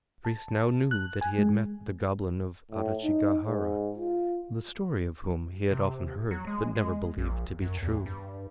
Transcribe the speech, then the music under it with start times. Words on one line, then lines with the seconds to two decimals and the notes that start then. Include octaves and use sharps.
The priest now knew that he had met the Goblin of Adachigahara, the story of whom he had often heard but never believed to be true.
0.25 A5
0.91 F#6
1.21 G#5
1.39 G#3
2.72 A2
3.04 D#4
3.44 G#2
3.97 F4
5.71 C3
6.31 F#3
6.47 G#3
6.75 G#3
7.18 A#1
7.62 F#2
7.82 E2
8.06 G2